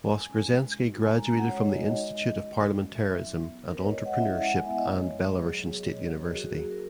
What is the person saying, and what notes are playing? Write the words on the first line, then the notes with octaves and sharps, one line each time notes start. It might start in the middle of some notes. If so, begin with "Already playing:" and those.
Voskresensky graduated from the Institute of parliamentarism and entrepreneurship and Belarusian State University.
G#3 G#5
C#4 E4
G#3
D#4 F#4
G#3 G#5
A#5
C#4 F#4 A#5
F#5
G#3 C#5
D#4 F#4 D#5
G#3
C#4 F#4
G#3
C#4 F#4
F#3 E5
C#4 E4
B3
F#4 A#4
B4
C#5
G#3 D#5
F#5
C#4 E4 E5
G#3 F#5
G#5
B3 E4 E5
D#5
G#3 C#5
B3
F#4
F#3 G#4
G#4
B3 F#4
C#5
D#5
F#3 C#5
B4
C#4 F#4 A#4
G#4
F#3 F#4
G#4
A#3 C#4 G#4
A#4